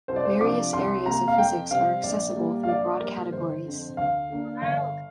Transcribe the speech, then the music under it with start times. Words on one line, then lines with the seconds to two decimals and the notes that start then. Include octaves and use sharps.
Various areas of physics are accessible through broad categories.
0.08 C2 C5
0.16 D5
0.25 C5
0.41 C3 F3 D4 D6
0.73 C2 C6
1.06 C3 A#3 A#5
1.28 F5
1.38 F2 G5
1.71 C3 G3 C4 F5
2.03 A#1 D5
2.36 A#2 G3 A#3
2.63 F5
2.68 A#1 D5
3.00 A#2 G3 A#4
3.32 G1 C5
3.65 F2 D3
3.97 D2 F5
4.30 D3 A#3 D4
4.62 G1 F5